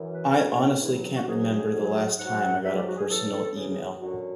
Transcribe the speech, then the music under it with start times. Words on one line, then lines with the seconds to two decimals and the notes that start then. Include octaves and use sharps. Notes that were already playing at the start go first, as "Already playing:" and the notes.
I honestly can't remember the last time I got a personal email.
Already playing: F#2 E3
0.13 B4
0.37 E2 D3 F#3 C#5
0.48 C#5
0.58 C#5
0.81 E2 D3 F#3 E4
1.15 F#4
1.27 G#2 F#3 G#4
1.72 G#2 F#3
2.17 G#2 F#3 F#5
2.63 G#2 F#3 E5
2.75 D5
2.86 F#4
2.97 G#4
3.08 E2 C#3 F#3 A4
3.54 E2 C#3 F#3 G#4
3.69 G#4
3.84 G#4
3.99 F#2 D3 F#3 F#4